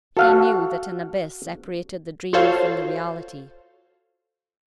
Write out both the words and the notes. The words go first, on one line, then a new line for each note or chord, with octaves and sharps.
He knew that an abyss separated the dream from the reality.
F#4 A4 F5 F#5
F4 F#4 A4 C5 C#5 F5